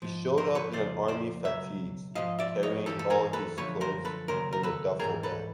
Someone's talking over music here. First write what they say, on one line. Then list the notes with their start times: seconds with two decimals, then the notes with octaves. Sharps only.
He showed up in army fatigues carrying all his clothes in a duffel bag.
0.02 G#2 F3
0.38 A#4 C5
0.55 B4 C#5
0.73 F2 C#3 F3 C5 D5
1.08 C5 D5
1.44 C#2 B2 F#3 E5
2.15 G#2 F3 D#5 F5
2.39 D5 E5
2.63 C#5 D#5
2.86 G2 E3 G3 G4 A4
2.99 A4
3.10 G#4 A#4
3.33 A4 B4
3.57 F#2 D3 F3 B4 C#5
3.81 A#4 C5
4.05 A4 B4
4.28 D#2 C#3 F#3 A#4 C5
4.53 A#4
4.63 A4 B4
4.99 G#2 E3 G3 G#4 A#4
5.23 A4 B4